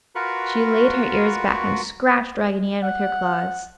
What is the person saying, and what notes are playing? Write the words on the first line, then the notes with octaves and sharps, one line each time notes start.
She laid her ears back and scratched Raggedy Ann with her claws.
F4 F#4 A#4 B4 B5 C#6
F#5